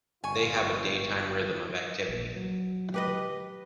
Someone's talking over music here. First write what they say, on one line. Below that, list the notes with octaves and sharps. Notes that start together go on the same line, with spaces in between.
They have a daytime rhythm of activity.
G1 B2 G3 F4 G#5 C#6
A#1 A#2
F#3
G4 B4 D#5